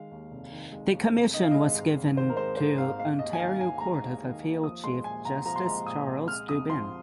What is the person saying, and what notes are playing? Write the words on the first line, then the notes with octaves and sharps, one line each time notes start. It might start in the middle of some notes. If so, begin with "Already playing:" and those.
The commission was given to Ontario Court of Appeal Chief Justice Charles Dubin.
Already playing: D#3 G#3 F5
D#2
F1
D#3
G#3
D#2
F1
D#3 D#5
F5
G#3 D#5
G#2
G#1
D#3 C5
A#4
G#3 C5
G#2 C5
G#1 F5
G#3 F5
D#2 D#5
G#5
D#3 F5
D#2 G#5
G#3 A#5
D#2
D#3
D#2
F3 D#6
G#3 C6
A#2 G#5
C2 A#5
F3 A#5
C6
G#3 A#5
A#2 D#6
C2
G#3 F6
F2 D#6
F3 C6